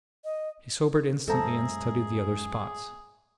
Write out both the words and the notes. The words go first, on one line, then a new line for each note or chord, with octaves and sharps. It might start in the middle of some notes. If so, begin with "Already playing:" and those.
He sobered instantly and studied the other spots.
D#5
F#2 G#3 G#4 A4 C5 E5 A5 A#5